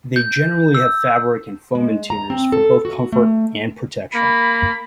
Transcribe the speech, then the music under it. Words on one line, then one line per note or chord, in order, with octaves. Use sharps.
They generally have fabric and foam interiors for both comfort and protection.
G6
E6
G#3
A#5
C4
A4
F#4
A3
A#3 B5